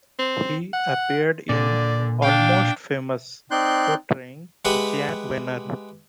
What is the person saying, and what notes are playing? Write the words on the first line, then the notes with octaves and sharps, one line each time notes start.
He appeared in "Almost Famous", portraying Jann Wenner.
C4
F#5
A#2 D3 D5
D4 F5 G5
C4 D#4 D5 C6 F#6 G6
G#3 G4 B4 E5 F#5